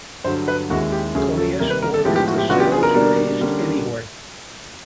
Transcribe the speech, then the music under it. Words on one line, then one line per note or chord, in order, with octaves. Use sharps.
Commius ordered the sails raised anyway.
G2 D3 F#3 C5
B4
D#2 D#3 G#3 C#4 E4 F#4
G4
D#2 C#3 F#3 A3 C#4 G#4
A4
C3 D#3 G3 A#3 A#4
B4
A#4
A4
A2 F3 G#3 B3 E4 G4
G4
F#4
G4
C#3 F#3 B3 D4 F4 F#4
G4
G#4
A#4
B2 G3 A#3 D4
D3 G3 A#3 C#4